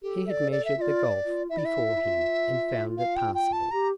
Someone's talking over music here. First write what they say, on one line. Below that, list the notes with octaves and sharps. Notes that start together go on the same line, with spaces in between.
He had measured the gulf before him and found it passable.
G4 A4
E5
D5
D5
E5
F4 D5 E5
F4
E4 E5
D5
E5
F4
E4
F4
F5
G5
G5
A5
G4 A#5